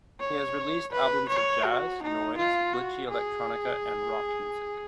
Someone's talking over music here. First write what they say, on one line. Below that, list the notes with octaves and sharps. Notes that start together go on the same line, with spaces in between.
He has released albums of jazz, noise, glitchy electronica and rock music.
C#5
B4
C#5
F#4
D#4
F4
F#4
G#4